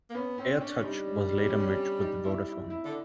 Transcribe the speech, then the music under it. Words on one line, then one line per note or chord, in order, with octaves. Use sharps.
AirTouch was later merged with Vodafone.
A#3
B3 C#4
C4 C#4
C#4 D4
G3 D#4
D4
D4
C#4
C#4
D4
D#4
E4
E4
E4
D3